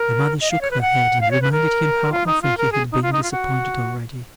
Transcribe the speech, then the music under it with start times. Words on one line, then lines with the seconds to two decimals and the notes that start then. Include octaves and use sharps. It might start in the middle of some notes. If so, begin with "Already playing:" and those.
The mother shook her head, and reminded him how often he had been disappointed already.
Already playing: A#4
0.41 D#5
0.51 F5
0.61 C#5
0.71 B4
0.81 F#5
1.21 F5
1.31 C#5
1.42 B4
1.52 A#4
2.12 F4
2.26 D#4
2.42 F4
2.57 A#4
2.72 G#4
2.92 D#4
3.02 F4
3.13 D#4
3.23 F4
3.32 F#4